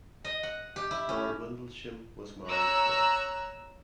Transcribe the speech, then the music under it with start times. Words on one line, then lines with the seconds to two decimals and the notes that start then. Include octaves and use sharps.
Lord Windlesham was married twice.
0.24 D#5
0.43 F#5
0.76 G4
0.91 E4
1.09 C#4
2.47 C#5 A#5 E6 F#6